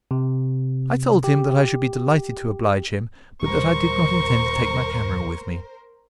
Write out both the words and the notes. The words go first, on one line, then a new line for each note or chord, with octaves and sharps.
I told him that I should be delighted to oblige him, but that I did not intend to take my camera with me.
C3
G4
D#1 G3 A#4 C5 C#6